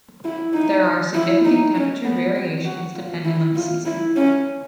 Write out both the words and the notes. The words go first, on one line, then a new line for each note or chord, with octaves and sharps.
There are significant temperature variations depending on season.
E4
D#4
E4
D#4
C#4
B3
C4
F#4
F4
E4
F4
E4
C#4